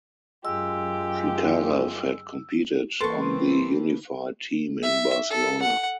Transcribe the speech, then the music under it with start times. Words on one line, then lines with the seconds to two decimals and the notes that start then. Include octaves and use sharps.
Chikarev had competed on the Unified Team in Barcelona.
0.45 F#2 G#3 F4 G4 E6
3.01 E3 A#3 C4 A4 B4 C6 C#6
4.83 E5
5.31 A4
5.62 F#5